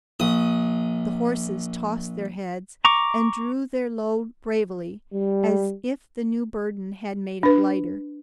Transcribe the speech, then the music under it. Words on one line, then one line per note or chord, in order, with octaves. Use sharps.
The horses tossed their heads and drew their load bravely, as if the new burden had made it lighter.
A#1 D#6
A#5 C#6 D6
G3
D4 B4